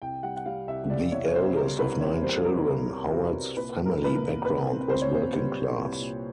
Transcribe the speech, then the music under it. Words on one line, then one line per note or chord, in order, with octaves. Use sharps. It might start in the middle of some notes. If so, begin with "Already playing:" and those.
The eldest of nine children, Howard's family background was working class.
C2 G5
G3 F#5
F#5
G3 F5
C2 E5
C2 D5
C2 C#5
C#5
B2 C5
G3 A#4
C2 B4
C2 C#5
G3 C5
B2 A#4
C2 A#4
C2
C2 F#4
C2
A#2 B4
A#2
A#4
A#2 B4
A#4
C2
C2 B4
C4
C4 C5
C#5
A#2 C5
G3
A#2
C2
A#2